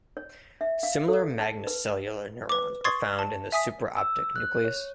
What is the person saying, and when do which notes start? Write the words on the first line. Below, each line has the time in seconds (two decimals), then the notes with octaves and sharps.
Similar magnocellular neurons are found in the supraoptic nucleus.
0.17 C#5
0.61 E5
0.83 F5
1.08 A4
1.39 A5
1.67 B4
2.49 B4 D6
2.84 C6 C#6 D#6 G#6 A6 C7
3.19 A5
3.52 E5 G#5 D#6 B6
3.97 E6
4.36 F#6
4.65 C#5